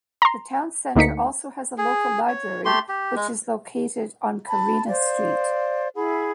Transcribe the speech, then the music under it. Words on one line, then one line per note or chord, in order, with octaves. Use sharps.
The town centre also has a local library which is located on Corinna Street.
A#5 C6
D2 A#3 D#4 B6 C#7
G#4
C#5
A3 G4 C6
G4
G#3
A5 B5
C5 D5 F5
E4 G#4 F#5 B5